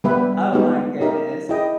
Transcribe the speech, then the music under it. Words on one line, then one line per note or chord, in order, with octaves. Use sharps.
Oh my goodness.
G3 B3 G4 B4 E5
G#3 B3 D#4 G4
D#4 G4 A#4 E5
E4 G#4 D#5 G5